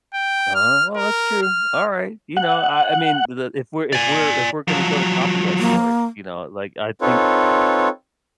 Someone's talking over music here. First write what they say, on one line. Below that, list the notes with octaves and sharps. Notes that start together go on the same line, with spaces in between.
Uh, well, that's true. Alright. You know, I I mean, the if we're if we're if we're gonna go to copyright court, you know, like, I think
G5
F6
A#4
F6
F#5
D5 G#5
F3 F#3
A#3
C4 D#4 F4 A4 B4 C#5